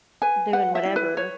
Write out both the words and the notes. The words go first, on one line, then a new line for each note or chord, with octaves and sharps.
doing whatever,
B4 G#5
B4 F#5
E5
E4
B4
B4 C#5